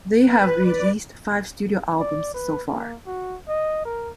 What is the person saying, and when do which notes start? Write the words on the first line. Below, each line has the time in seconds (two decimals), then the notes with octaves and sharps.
They have released five studio albums so far.
0.19 B4
0.58 D5
2.00 D5
2.34 B4
2.68 A#3
3.07 F#4
3.48 D#5
3.85 A#4